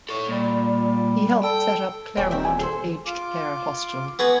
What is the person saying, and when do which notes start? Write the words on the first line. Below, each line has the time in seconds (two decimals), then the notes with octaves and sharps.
He helped set up 'Claremont' aged care hostel.
0.09 A4 C#5
0.28 A#2 G3
1.43 A4 G5
2.17 D#1 A3 C#5 D5 G5 G#5
2.31 C4 E5
2.45 G#5
2.59 G#4 A4 C5
3.06 F4 D6
4.19 B3 F#4 G#4